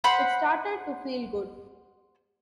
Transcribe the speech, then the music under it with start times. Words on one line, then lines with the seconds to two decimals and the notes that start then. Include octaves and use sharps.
It started to feel good.
0.04 C5 F#5 B5